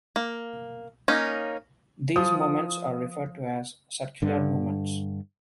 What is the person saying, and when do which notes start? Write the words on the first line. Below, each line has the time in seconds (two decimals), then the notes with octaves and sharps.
These moments are referred to as "circular moments".
0.16 A#3
1.08 A#3 C#4 D#4
2.16 F3 D#6
4.22 G2 D3